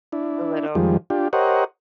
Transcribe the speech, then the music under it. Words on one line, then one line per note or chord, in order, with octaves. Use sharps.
a little.
D4 E4
F2 D#3 F3 G3 G#3
D4 F4 G4
G4 A#4 C5 C#5 D#5 F#5